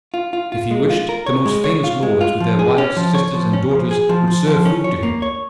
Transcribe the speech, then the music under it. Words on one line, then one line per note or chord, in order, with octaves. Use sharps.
If he wished, the most famous lords, with their wives, sisters, and daughters, would serve food to him.
F4
F4
F4
G#3
F4
A#4
C#5
G#3
C#5
F4
G#3
F4
F3
G#4
C#4
F3
C#5
F3
C#4
F3
G#4
F3
F3
F3
C#4
C#5
A#3
C#5